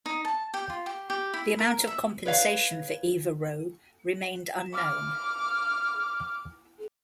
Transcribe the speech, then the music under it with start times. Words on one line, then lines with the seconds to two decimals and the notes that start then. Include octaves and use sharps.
The amount of compensation for Eva Rowe remained unknown.
0.06 D#4
0.25 A5
0.54 G4
0.70 F4
0.86 G4
1.10 G4
1.34 E4
1.59 A#4
1.87 E5
2.26 B4 C#5 F5
4.73 D6 F6